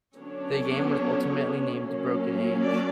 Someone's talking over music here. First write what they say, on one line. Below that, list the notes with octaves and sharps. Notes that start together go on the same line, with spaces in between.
The game was ultimately named "Broken Age".
D3 F#3 B3 C#4 D4 C#5
F#3 A#3 C#4
D4 D5